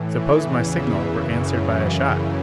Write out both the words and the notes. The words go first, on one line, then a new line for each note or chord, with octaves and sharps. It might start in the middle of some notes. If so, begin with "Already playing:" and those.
Suppose my signal were answered by a shot?
Already playing: A2 E3
E2 C#3 E3 D5
E5
F#2 C#3 E3 E5